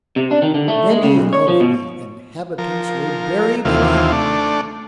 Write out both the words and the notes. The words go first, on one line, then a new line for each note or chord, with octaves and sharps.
Many of the inhabitants were buried alive.
C3
D4
D#3
D3
A3
G#3
C#3
B1
C#5
F3
B2
F3 A#4
D#2 C3 E3 F4
A3 D4